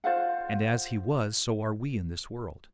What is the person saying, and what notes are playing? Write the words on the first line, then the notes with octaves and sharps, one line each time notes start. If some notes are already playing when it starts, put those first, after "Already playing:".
And, as He was, so are we in this world.
F4 C5 F5 F#5